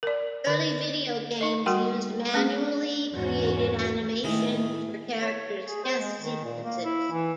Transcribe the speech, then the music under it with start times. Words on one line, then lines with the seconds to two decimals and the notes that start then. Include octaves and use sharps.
Early video games used manually created animations for characters' death sequences.
0.03 A#4 D5
0.47 D3 A#4
1.41 D#4 D#5
1.66 G3 F#4 A#4 F#5 G5 C6
2.34 A3 C#4 G#4
3.14 E2 G#2 E3 C#4 F#4
4.24 A2 D#3 E3 G#3 A3 E4
5.21 C#5
5.66 G#4
5.84 C5
6.00 G#3
6.20 D#3
6.44 A#2
6.64 A#3
6.84 E4
7.11 E3